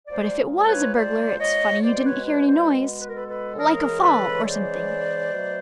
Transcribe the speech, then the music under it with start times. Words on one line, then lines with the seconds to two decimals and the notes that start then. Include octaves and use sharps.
But if it was a burglar it's funny you didn't hear any noise--like a fall, or something.
0.07 A#2 F3 G#3 C5 D5
0.57 D5
0.66 B4 C#5
0.95 C5 D5
1.39 C#5 D#5
1.82 B2 G#3 C5 D5
2.04 B4 C#5
2.25 B4 C#5
2.48 C5 D5
2.99 B4
3.07 A#4
3.15 A4 B4
3.28 A4 B4
3.57 C#3 E3 G#3 G#4 A#4
4.00 A4 B4
4.45 C5 D5
5.32 B2 F#3 A3